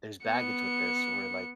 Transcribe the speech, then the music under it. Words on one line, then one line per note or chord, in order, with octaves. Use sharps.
there's baggage with this where, like,
B3 C#7